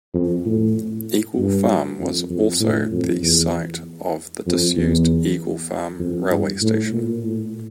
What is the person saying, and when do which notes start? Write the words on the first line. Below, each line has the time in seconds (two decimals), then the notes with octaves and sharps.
Eagle Farm was also the site of the disused Eagle Farm railway station.
0.14 F2
0.45 A2
1.38 G2
1.99 F2
2.30 F2
2.60 A2
2.92 F2
3.22 E2
4.46 F2
4.76 E2
5.99 F2
6.30 G2
6.62 A2
6.92 A#2
7.23 A2